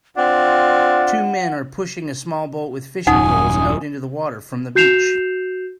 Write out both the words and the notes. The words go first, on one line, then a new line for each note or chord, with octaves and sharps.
Two men are pushing a small boat with fishing poles out into the water from the beach.
C4 D4 F4 F#5
D#1 F#2 D#4 F#5 G#5 D#6
F#4 G6 C7 E7 F7